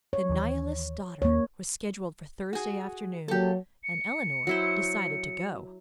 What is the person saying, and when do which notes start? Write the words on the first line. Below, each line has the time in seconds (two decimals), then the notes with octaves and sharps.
"The Nihilist's Daughter" was scheduled for Thursday afternoon, and Eleanor decided to go.
0.13 C#5
0.30 D#2 E3
1.22 D#2 A#3 C#5
2.53 F#4 G#4
3.28 F#3 A#3 G4 A4
3.83 C#7
4.47 F#3 E4 C5